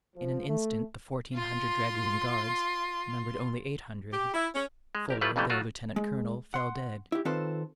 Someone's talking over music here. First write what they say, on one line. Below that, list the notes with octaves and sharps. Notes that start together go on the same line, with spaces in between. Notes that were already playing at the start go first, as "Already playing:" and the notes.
In an instant the fourteen hundred dragoon guards numbered only eight hundred. Fuller, their lieutenant-colonel, fell dead.
F3
A3
F4 C6
G4
E4
C#4
G#3
A#1 G4 A#4
F#3 G3 A3 E4 F4 B4
F2 C3 E3 G3 A3 C#4
F#3 A3 F4 F#4
G#3
F#5 C6
E4 G4
D#3 C4 F4 A4 B4 C5